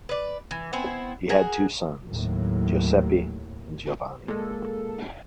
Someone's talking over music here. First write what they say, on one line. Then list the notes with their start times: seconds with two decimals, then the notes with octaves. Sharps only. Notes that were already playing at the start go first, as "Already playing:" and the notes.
He had two sons, Giuseppe and Giovanni.
0.09 B4 D5
0.51 E3
0.73 B3 C4 E4 G#5
1.29 F#4 G#4 A#4
2.10 D#2 A2 F#3
4.28 A#2 G#3 A#3 A4